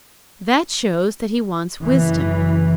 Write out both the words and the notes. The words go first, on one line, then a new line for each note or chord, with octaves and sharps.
That shows that he wants wisdom.
F#1 E3